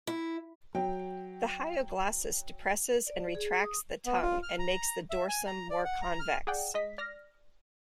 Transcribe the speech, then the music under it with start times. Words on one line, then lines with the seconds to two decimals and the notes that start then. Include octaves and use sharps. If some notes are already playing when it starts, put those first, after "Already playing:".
The hyoglossus depresses and retracts the tongue and makes the dorsum more convex.
0.07 E4
0.75 F#3 G5
3.07 D5
3.35 G#4
3.64 D#6
4.06 B3
4.22 F4
4.43 F6
4.59 A#5
5.10 E5
5.29 G#5
5.47 A#5
5.70 D5
5.85 F#5
6.02 A#5
6.20 F6
6.47 G#4 D5 F#5 G5
6.74 G#3 D#5 B6
6.98 D5 F6 A#6